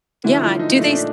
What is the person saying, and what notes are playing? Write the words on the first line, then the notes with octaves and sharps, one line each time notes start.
Yeah. Do they s
D3 E3 F#3 A3 E4
F3 F4
D#4
A#2 F3 A3 D#4
D4